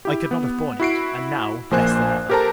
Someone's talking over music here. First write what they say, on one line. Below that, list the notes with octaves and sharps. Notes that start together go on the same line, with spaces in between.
I could not have borne it; and, now, less than ever.
E4 G4
B3
E4 F#4 C7 D7
A#1 F3 A#3 C5 G#5 F#6
G4 A4 A#4 C5 A5 A#5